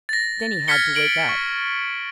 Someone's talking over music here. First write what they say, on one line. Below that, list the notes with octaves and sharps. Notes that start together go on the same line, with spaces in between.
Then he had to wake up.
A6 A#6
F6 G#6 A6 B6 C#7 G7
D7 F#7
C#6